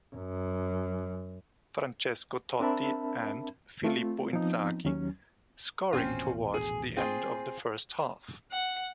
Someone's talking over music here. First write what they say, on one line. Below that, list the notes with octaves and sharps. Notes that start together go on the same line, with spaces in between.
Francesco Totti and Filippo Inzaghi scoring towards the end of the first half.
F#2
C4 D4 A#4 E5 A5 B5
A3 C4 F4
F3 B3 C4 D#4
D#2 F#3 C#4
D#1 A1 B2 C4 C#4 F4
G#4
C4 F4 G#4
F#5